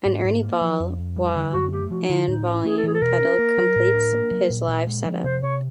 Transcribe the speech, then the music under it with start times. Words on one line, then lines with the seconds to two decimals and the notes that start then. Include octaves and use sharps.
An Ernie Ball wah and volume pedal completes his live setup.
0.05 G#2
0.24 G#2
0.43 A#3
0.61 F3
0.80 F2
0.98 F2
1.16 G3
1.35 D3
1.53 F#2 F#4
1.72 A3 G4
1.91 F3 F#4
2.03 D#4
2.09 D3 E4
2.28 A2 D#4
2.46 C#4
2.53 E4
2.65 A3 G#4
2.77 A4
2.83 E3 G#4
2.94 A4
3.02 B2 A#4
3.20 C#4
3.39 A#3
3.57 F#3
3.76 A2
3.94 D4
4.13 A#3
4.31 F#3
4.50 A#2
4.68 A#2
4.87 G#3
5.05 F3
5.24 C3 C5
5.42 C3 C#5